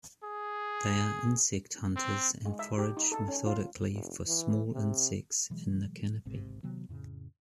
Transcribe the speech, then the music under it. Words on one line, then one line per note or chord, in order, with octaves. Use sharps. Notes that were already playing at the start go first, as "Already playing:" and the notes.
They are insect hunters and forage methodically for small insects in the canopy.
G#4
C4
G#3
E5
G4
D#4
A4
C#4
F4
F1
E3
C3
B2 E3 F#3 G#3
G#1 C#2 G#2 C3
C3 D#3 F#3 B3
F2 A2 C#3